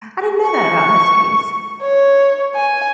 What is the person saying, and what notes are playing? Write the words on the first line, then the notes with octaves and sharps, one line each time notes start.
I didn't know that about Huskies.
C#6
C#5
G#5